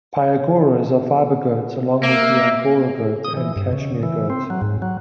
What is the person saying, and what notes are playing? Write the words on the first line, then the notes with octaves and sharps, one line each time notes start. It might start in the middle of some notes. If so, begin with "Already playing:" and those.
Pygoras are fiber goats along with the Angora goat and Cashmere goat.
A#3 E5
D#6
E3
G2
C#3
E3
C4
F#3
G#2
F#3